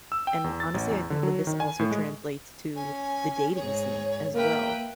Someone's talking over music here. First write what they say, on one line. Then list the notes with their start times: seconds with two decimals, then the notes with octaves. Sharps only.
And, honestly, I think that this also translates to the dating scene as well.
0.12 E6
0.27 G5
0.44 E2
0.60 A6
0.74 A1
0.90 E2
1.10 D3
1.23 F#3
1.47 D#3
1.60 G#5
1.79 A2
1.91 G#3
2.76 C#4 G#5
3.55 G#2 G#4 C#5
4.34 A#3 A#4 B4 E5 G5